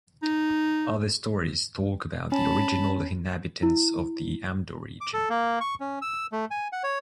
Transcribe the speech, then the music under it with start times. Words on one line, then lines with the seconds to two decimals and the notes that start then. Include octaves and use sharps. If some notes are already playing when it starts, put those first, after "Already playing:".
Other stories talk about the original inhabitants of the Amdo region.
0.22 D#4
2.32 C#4 A5 B5
3.63 E4
5.01 D6
5.13 A4
5.30 A#3
5.61 C#6
5.80 C#4
6.02 E6
6.32 A3
6.51 G#5
6.73 F#5
6.84 C#5